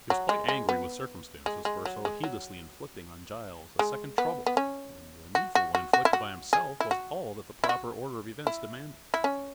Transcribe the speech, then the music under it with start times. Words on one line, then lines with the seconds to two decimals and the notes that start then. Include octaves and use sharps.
He was quite angry with circumstances for so heedlessly inflicting on Giles a second trouble when the needful one inflicted by himself was all that the proper order of events demanded.
0.10 F#3
0.29 G#3
0.48 G#3
0.69 B3
1.46 G#3
1.65 G#3
1.85 F#3
2.05 G#3
2.24 F#3
3.79 G#3
4.18 B3
4.46 B3
4.57 C#4
5.35 F#4
5.55 F#4
5.75 F#4
5.93 F#4
6.05 E4
6.13 F#4
6.53 G#4
6.80 E4
6.91 F#4
7.64 E4
7.69 F#4
8.47 E4
9.14 E4
9.24 C#4